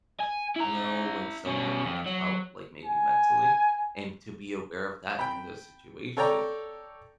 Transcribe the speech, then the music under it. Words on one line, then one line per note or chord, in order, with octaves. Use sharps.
know when someone needs help, like, maybe mentally, and to be aware of that in those situations
G#5
E4 A#5
B2 C#4
F2
F#3
G#5
G5 B5
A4 C#5 D5 G5 A#5